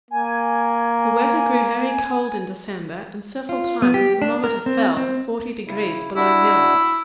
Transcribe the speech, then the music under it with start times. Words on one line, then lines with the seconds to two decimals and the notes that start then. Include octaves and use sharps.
The weather grew very cold in December, and several times the thermometer fell to forty degrees below zero.
0.11 A#3 G#5
3.49 F4
3.82 B3
3.94 G4
4.22 D4
4.44 A#4
4.66 C4
4.97 C4
5.68 C#3 E4
6.16 D4 E4 F#4 E5